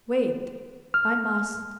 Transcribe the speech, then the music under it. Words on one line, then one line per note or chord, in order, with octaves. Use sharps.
"Wait, I must..."
F6